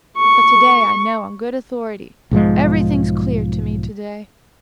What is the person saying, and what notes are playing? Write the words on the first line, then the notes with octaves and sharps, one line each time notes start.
But to-day I know on good authority; everything's clear to me to-day.
C#6
B1 G#2 F3 G#3